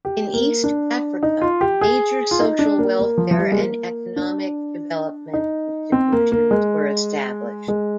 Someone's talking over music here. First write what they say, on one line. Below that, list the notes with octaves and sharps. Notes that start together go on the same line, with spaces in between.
In East Africa, major social welfare and economic development institutions were established.
G4
A#3
D4
D#4
F4
G4
G#4
F4
D#4
D4
A#3
A#3
F3
F3
G3
G#3
A#3
D4
D#4
C4
A#3
A#3
G#3
G#3